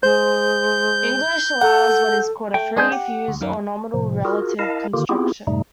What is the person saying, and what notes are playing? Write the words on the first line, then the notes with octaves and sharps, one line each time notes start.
English allows what is called a "free", "fused" or "nominal" relative construction.
G#3 C5 G6
A4 F#5
A3 G5
G#3 B3 D4 G#4 C6 G6
G4 F#5
D2
F#2 D#3 A#3
A2 C3 F3
F4 F#4 G#4 A#4
E4 A#4 D#5 F5 A5
D3 D#3 A#3 F4 G4
B3 C4 E4 F4 G4 G#4
F#2 A2 C3 G3 A3 D#4